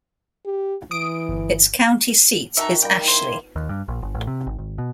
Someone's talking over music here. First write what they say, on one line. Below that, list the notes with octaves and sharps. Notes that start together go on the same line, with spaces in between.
Its county seat is Ashley.
G4
E3 D#6 D7
G1
D#3 D#4 F#4 A4 E5
D#3 G3 F5 G5
E4 C5
D#2
G2
A#1
G1
A1
C3
G#1
G#1
B2